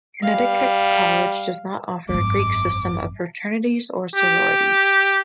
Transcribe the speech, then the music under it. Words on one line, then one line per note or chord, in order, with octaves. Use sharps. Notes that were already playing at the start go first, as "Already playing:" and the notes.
Connecticut College does not offer a Greek system of fraternities or sororities.
G3 F5
G#1 F#2 D6
G4